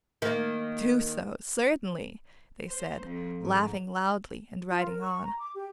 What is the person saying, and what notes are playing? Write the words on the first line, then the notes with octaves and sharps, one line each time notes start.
'Do so, certainly!' they said, laughing loudly and riding on.
D#3 A#3
C5
F2
G#2
F4
A#4
C#6
A#5
D6
G4